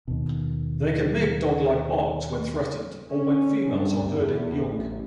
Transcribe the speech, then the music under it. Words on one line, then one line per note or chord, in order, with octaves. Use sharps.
They can make dog-like barks when threatened or when females are herding young.
D#2 B2
C#4
G2
E2
A1